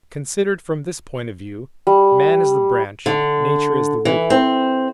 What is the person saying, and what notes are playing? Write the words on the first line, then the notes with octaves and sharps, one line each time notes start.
Considered from this point of view man is the branch; nature is the root.
G3
D3
E3
C4